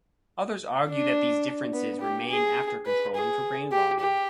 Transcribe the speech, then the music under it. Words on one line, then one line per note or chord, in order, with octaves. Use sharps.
Others argue that these differences remain after controlling for brain volume.
D4
B3
G4
G#4
B4
G#4
G4
G4